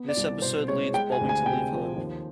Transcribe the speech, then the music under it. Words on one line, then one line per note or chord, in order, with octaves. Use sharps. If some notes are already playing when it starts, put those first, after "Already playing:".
This episode leads Bobby to leave home.
Already playing: B3
D5
C2
B2 C5
G#3 C#5
G#3 G5
G#5
D2
G#5
C3 G5
F3
D#2